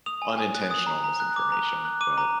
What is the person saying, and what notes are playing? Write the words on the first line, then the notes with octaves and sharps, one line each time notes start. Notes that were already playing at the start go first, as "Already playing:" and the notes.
unintentional misinformation, but
D#6 F7
G#5
G#5
F#6
D#6
A#5
A#5
F#6
D6
A#5
A#5
F#6
D6 D#7
A#5